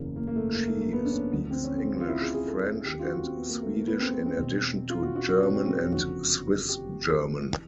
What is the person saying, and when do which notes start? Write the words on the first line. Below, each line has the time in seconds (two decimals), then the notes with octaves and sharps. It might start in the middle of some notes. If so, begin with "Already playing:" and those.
She speaks English, French and Swedish in addition to German and Swiss German.
Already playing: F#1 E2 C#3 E3 A#3
0.16 A#3
0.27 A#3
0.36 A3
0.55 A#3
0.68 A3
0.81 A#3
0.93 B3
1.05 D4
1.12 C#4
1.31 D2 D3 F3
1.51 C4
1.64 C#4
1.78 C4
2.00 F4
2.08 E4
2.21 G#4
2.34 G#4
2.47 A4
2.66 G#4
2.85 D#2 D#3 G4
2.99 F4
3.04 F#4
3.23 C4
3.36 B3
3.49 A#3
3.62 A3
3.75 A#3
3.88 B3
4.00 C4
4.13 B3
4.26 C4
4.38 E1 E2 B2
4.90 F4
5.02 F#4
5.16 F#4
5.28 F#4
5.41 C#4
5.54 C4
5.67 C4
5.79 C#4
5.92 F#1 F2 D3 F3 F#4
6.69 G4
7.07 G#4
7.47 E3